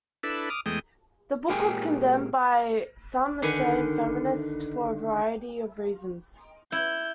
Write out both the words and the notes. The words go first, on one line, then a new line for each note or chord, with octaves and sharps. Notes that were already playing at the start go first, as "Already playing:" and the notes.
The book was condemned by some Australian feminists for a variety of reasons.
D4 E4 A4 B4
D6 D#6 F6
E2 G#3 A3 G5 D#6
A#2 G#3 G4 A#4 G5 G#5
D3 D#3 B4 F#5 G#5
E4 G6